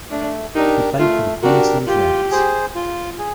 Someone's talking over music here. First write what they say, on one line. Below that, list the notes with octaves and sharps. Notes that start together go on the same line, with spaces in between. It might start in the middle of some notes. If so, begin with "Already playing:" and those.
He played for the Queensland Reds.
A3 D4
D4 D#4 G4 A#4
A3 F4
D4 F#4 G4 A#4
F4 G4
G#4 C5
F4
G#4